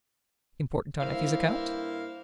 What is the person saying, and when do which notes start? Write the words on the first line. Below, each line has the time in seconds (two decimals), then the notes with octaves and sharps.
"Important on Effie's account?"
1.01 G2 A#3 E4 A#4 C5 F5